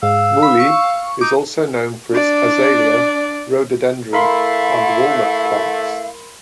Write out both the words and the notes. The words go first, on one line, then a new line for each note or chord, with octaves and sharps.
Muli is also known for its azalea, rhododendron, and walnut plants.
G#2 F5 E6
B5
C#6
D#4 D6
D4 D5
A3 E4 A#4 F5 B5 C6